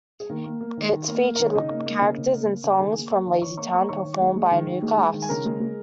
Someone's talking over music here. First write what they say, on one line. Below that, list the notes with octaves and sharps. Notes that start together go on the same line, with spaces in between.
It featured characters and songs from "LazyTown", performed by a new cast.
G#4
D#3 A#3 A#4
A#3
A#3
D#3
D#3
A#3
A#3
D#3 A#4
C#5
C#3 D#4 D#5
A#3
A#3
C#3
C#3
A#3
A#3
C#3
A#5
D#3 G#4 G#5
A#3
A#3 C#5 C#6
D#3
D#3 C#5 C#6
A#3 C#5 C#6
A#3 C#5 C#6
A#5
D#3 C#5 C#6
D#3
G#3
G#3
D#3
D#3
G#3
G#3
D#3
G#5
C#3 A#4 A#5
G#3
G#3